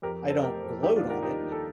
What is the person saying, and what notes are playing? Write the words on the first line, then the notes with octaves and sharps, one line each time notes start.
I don't gloat on it,
F2 G4 A#4
F2
A4 C5
A3 G4 A#4
F2
G3 D#4 G4
D4 F4
D#2
G4 A#4
D#2 D#4 G4
D#2
A4